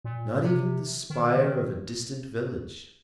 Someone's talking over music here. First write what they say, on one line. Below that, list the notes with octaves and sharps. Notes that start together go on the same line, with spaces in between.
Not even the spire of a distant village.
A#2
C3
D#3
D#3